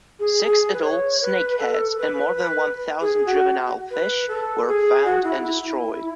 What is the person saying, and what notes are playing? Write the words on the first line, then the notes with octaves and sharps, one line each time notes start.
Six adult snakeheads and more than one thousand juvenile fish were found and destroyed.
G#4
G#4
B4
C#5
B4
A4
B4
B4
G#4
F#4
B4
A4
G#4
F#4
E4
E4
E4